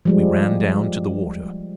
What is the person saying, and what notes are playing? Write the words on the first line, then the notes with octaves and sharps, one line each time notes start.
We ran down to the water.
F3 G3 G#3